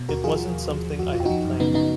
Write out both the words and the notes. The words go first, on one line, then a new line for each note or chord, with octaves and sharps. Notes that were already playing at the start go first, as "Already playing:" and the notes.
It wasn't something I had planned.
Already playing: B2
D#2 F#4 A#4
F3 F4 G#4
F3
D#2
F3
F3
F2 F#4
F2 F4
F3 D#4 F#4
F#2
C#3 B3 D#4
C#3 B3 D#4